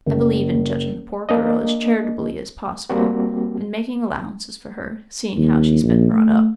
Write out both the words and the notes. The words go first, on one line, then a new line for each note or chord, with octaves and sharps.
I believe in judging the poor girl as charitably as possible and making allowances for her, seeing how she's been brought up.
F#1
A#3 D4 D#5
G3 A#3 C4 F#4 G4
D#2
A#1
A3